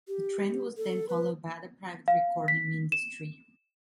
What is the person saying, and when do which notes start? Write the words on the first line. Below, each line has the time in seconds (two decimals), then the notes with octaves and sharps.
The trend was then followed by other private recording industry.
0.08 G4
0.77 A4
1.09 B4
2.08 F5
2.48 B6
2.92 E7